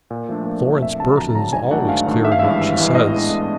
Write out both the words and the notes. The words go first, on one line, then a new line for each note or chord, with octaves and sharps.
"Florence Burton is always clear in what she says."
A#2
F3 A3 D4
A#2
F3 A3 D4
F2 E5
D3 F#3 A5
F2 A#5
D3 F#3 A#5
G#2 G#5
D#3 F#3 A3 D4 F#5
G#2 F5
D#3 F#3 A3 D4
G#1 E5
F5
G2 E3 G#3 E5
G#1
G2 E3 G#3
A2 D#5
E3 G#3 B3 D4
A2